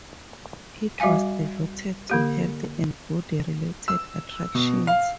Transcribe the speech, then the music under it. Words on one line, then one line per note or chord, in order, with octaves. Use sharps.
It was devoted to health and body related attractions.
G3 F#4 E5 F5 G#5
D3 A#3 G4
E6
B2
F5